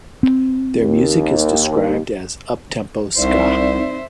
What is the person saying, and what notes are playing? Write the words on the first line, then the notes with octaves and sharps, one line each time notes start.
Their music is described as up-tempo ska.
C4
D#2
C2 C4 D#4 C5 D5 E5